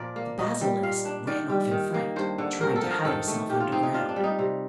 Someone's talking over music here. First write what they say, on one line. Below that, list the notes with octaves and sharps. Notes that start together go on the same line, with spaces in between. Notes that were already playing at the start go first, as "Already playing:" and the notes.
The basilisk ran off in fright; trying to hide herself underground.
Already playing: A#2 F3 A#4 D5
A#3
A#2 D#5
G3
A#2 F5
D4
D#3 D5
G3
D#3
A#3
G2 C5
D3
G2 A#4
A4
F3
A#4
D#3 A4
A3
D#3 G4
F4
C4 D#4
D#4
D4 F4
D4
G3
D#4
C3